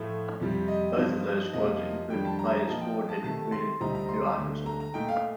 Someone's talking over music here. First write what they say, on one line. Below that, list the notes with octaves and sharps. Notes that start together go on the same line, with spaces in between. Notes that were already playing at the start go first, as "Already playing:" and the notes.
Both of those squads included players Ford had recruited to Arkansas.
Already playing: A2 F3 A3
F2 C3 G3
D#5
G2 F3 C4 D#4
F2 C3 F3 A#3 D#5
F2 D#3 G3 D4 G5
A5
A#5
A#2 F3 A#3 D#4 A5
G5
A5
C3 D#3 A3 A5
C6
D2 C3 G3 C4 D#4 A#5
A#5
C6
D2 D3 A3
A#5
A#5
A#2 A3 D#4 G5
F5